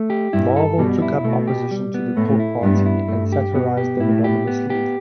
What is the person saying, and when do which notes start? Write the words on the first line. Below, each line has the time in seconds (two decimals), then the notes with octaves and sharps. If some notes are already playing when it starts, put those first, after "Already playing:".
Marvell took up opposition to the 'court party', and satirised them anonymously.
Already playing: A3
0.10 G4
0.33 G2 E4
0.56 A4
0.79 B2 G3
1.02 E4
1.25 B2 A3
1.48 G4
1.71 G3
1.94 B3
2.17 A2 A3
2.40 E4
2.63 G2 B3
2.86 E4
3.08 G2 A3
3.32 G4
3.54 B2 B3
3.77 G4
4.00 A2 E4
4.24 G4
4.47 B3
4.70 G4